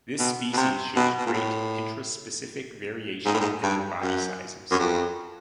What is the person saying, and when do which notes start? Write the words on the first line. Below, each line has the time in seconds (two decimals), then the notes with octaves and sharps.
This species shows great intraspecific variation in their body sizes.
0.19 B2
0.53 B2
0.57 C3
0.96 B2
1.18 B2
1.26 A#2
1.34 A2
3.26 G#2
3.34 A2
3.41 G#2
3.63 G2
4.02 F#2
4.71 F#2
4.79 F2